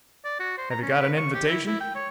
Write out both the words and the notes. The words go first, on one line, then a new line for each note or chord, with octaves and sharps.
"Have you got an invitation?"
D5
F#4
C5
A#5
C#4
B4
C#6
G4
E4
E4
G5
C#5